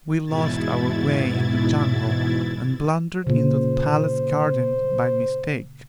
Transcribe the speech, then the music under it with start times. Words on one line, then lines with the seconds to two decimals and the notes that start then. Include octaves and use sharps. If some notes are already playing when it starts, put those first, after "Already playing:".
"We lost our way in the jungle and blundered into the palace-garden by mistake."
0.25 E2 G#2 B2 E4 G#6 A6
3.27 A#2 C#3 C5